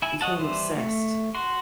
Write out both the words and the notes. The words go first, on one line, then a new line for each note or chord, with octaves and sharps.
became obsessed
E4 G#5
C#5 D#5 F#5 A5
E3 G3 C5
A3
F#4 C6